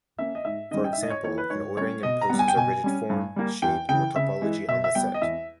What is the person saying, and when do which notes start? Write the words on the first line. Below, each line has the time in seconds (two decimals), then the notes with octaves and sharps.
For example, an ordering imposes a rigid form, shape, or topology on the set.
0.19 A#3 C#4 E5
0.35 D#5
0.45 G#2 E5
0.71 D#3 G3 C#4 D#5
0.84 G5
0.93 E5
0.97 G#2
1.03 D#5
1.10 C#5
1.24 E3 A#3 C#5
1.38 B4
1.50 G#2 C#5
1.77 G3 C#4 C#5
2.03 B2 D#5
2.21 A#5
2.30 G3 B3
2.39 G#5
2.48 G5
2.56 B2 G#5
2.84 G3 C#4
3.10 G2
3.36 G3 A#3
3.62 E2 G5
3.89 C#3 E3 G5
4.16 C#3 E5
4.42 E3 G#3
4.68 B2 E5
4.84 E5
4.95 G3 B3 G5
5.14 D#5
5.22 E2 E5